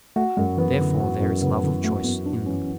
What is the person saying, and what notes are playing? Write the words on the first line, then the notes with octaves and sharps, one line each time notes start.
Therefore there is love of choice in them.
A3 F#4
F#2 G#3
E3 B3
D3 E3
F#4
F#2
C#3 B3
D3 E3
A3 F#4
F#2 B3
B3 D4
E3 C#4